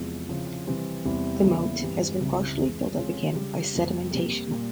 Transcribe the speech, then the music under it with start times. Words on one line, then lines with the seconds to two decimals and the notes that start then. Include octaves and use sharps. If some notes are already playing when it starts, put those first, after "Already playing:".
The moat has been partially filled up again by sedimentation.
Already playing: E2 C3 F3 G#3 E4
0.28 C#3 F3 C4 E4
0.67 C3 E3 G3 C4
1.05 E2 C3 G3 C4 E4
1.43 E2 C#3 G3 A#3 E4
1.81 G2 E3 G3 C4
2.20 C#2 C3 G3 C4 E4
2.58 F2 E3 G#3
2.97 C3 F3 G#3 C#4 F4
3.35 C#3 G3 C#4
3.73 F2 C3 F3 A#3
4.13 C3 G3 A#3
4.51 A#2 G3 A#3